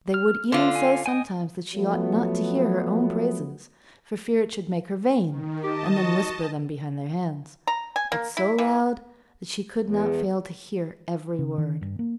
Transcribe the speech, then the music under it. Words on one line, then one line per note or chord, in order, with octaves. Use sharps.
They would even say sometimes that she ought not to hear her own praises for fear it should make her vain, and then whisper them behind their hands, but so loud that she could not fail to hear every word.
F6
D3 F4 C5
G#5
D#5 G5 G#5
F3 F#3 A3 B3
D#3
G4 D#5 A5
F#4
A#5
G#5
A#3
E4
E3
E2
C#3
D#3
G2
A#3